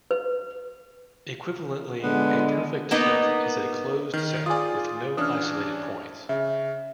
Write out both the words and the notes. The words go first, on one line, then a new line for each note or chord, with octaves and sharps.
Equivalently, a perfect set is a closed set with no isolated points.
B4
D3 G#3 B3
A#3 B3 D#4
D#3 F6
F4 G#4 D5 G#5 D#6
E3 C#4 D4 D#6 F6
C#3 E5